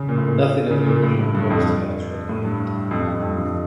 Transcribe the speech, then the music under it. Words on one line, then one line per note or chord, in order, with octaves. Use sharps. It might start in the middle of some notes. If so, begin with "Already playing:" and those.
Nothing of the original post has remained.
Already playing: C#3
A#2
A2
A#2
C#3
A#2
A2
G2
G2
F2
A2
G2
F2
G2
F2
G2
F2
G2
F2